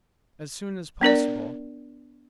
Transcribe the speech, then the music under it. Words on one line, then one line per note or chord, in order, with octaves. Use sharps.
"As soon as possible."
B3 D4 A#4 D5